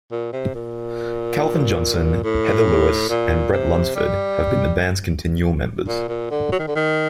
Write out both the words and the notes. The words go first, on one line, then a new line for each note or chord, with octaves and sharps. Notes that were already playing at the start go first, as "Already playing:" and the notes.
Calvin Johnson, Heather Lewis, and Bret Lunsford have been the band's continual members.
A#2
C3
A#2
A2
A#2
C3
G3
A#2
A#2
D3
F#3
D#3
D3
D#3